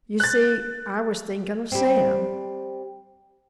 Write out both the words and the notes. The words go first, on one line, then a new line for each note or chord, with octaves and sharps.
You see, I was thinking of Sam.
F#6 A6
G3 C4